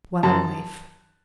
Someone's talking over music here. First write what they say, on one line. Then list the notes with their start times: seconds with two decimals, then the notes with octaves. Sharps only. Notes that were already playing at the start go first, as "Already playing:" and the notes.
What a life!
0.23 F#2 A5